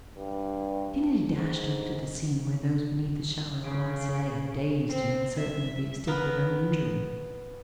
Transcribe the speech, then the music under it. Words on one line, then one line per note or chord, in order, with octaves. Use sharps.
Kennedy dashed over to the scene where those beneath the shower of glass lay, dazed and uncertain of the extent of their own injuries.
G2
G#2
C#3
C4
E5
B3 A#4